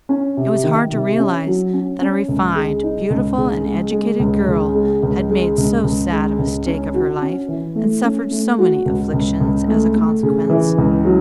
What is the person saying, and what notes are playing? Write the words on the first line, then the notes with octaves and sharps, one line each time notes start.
It was hard to realize that a refined, beautiful and educated girl had made so sad a mistake of her life and suffered so many afflictions as a consequence.
C#4
C3
D#3
C3
C#4
F#3
C#4
C#4
C#2
G#3
D#4
C#2
C#3
G#3
G#3
C#2
C#3
G#3
C#2
G#3
C#2
C#2
G#3
C#2
C#4
F#4
C#4
E3
A3
C#4
A3
F#4
C#2
C#2
C#2
A3
A3
C#3
E3
C#2
F#3